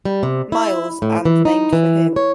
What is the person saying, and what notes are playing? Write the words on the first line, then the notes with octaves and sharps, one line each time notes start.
Miles, and named for him.
G3
C3
E4
A2
E3
D#4
E3
C#5